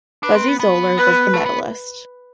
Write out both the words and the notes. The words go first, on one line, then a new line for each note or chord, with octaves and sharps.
Fuzzy Zoeller was the medalist.
D4 B4
C4
B3
B3
B4
A3
B3